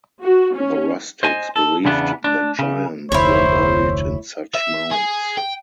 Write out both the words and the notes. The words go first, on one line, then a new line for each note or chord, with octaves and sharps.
The rustics believed that giants were buried in such mounds.
F#4
C#4
C5 D#5 G#5
A4
E2 C#3 B3 D4
D4
C#3
F1 D2 E4 C5 C#5
E5
G#4
G5